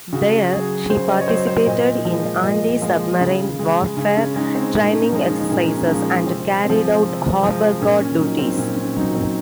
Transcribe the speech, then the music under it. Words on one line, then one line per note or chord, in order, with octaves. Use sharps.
There, she participated in antisubmarine warfare training exercises and carried out harbor guard duties.
C#3 F#4
F#3 G#4
C#3 C5
D#5
C#5
F#3 C5
C5
A#2 D#5
F3 G#3
A#2 D#5
F3 G#3 F4
C#3
G#3
C#3 C#4
C#4
G#3 D#4
C4
A#2 C#4
D#4
C#4
D#4
F3 G#3 C#4
D#4
C#4
D#4
A#2 C#4
D#4
C#4
D#4
F3 G#3 C#4
C3 C4
F3 G#3 C4
C3
F3 G#3
A#2 C#4
C#4
F#3 D#4
C4
A#2 C#4
C#4
F#3 D#4
C4